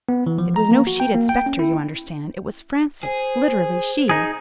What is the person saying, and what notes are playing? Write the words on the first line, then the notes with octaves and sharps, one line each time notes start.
It was no sheeted specter, you understand; it was Frances, literally she.
B3
E3
F3
A#5
A#3
F#4
G5
A#3
G5
C#4
E4
G#4 C5
D#4 G#4